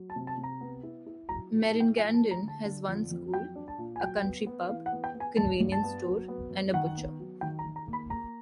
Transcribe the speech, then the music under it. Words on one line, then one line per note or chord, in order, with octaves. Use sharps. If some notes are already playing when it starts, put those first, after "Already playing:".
Meringandan has one school, a country pub, convenience store and a butcher.
Already playing: F#3
A5
C3
A5
C3
A#5
B3
E4
E4
F#3 A#5
A#2
A5
E4
G5
F3 G#5
A5
A3
A#5
D3
A5
D3
F2
F2
F#3 G5
D4
A5
A#2
G#5
F#3 G5
B3
B3
E3 F5
F#5
B3
G5
B3
G#5
G2 A5
G2
A5
B3
F#3
B3
F#2
D#3 F#5
B3
F#3
D#3 G5
A#5
D#3
A#5
A#3
B5
A#3 A#5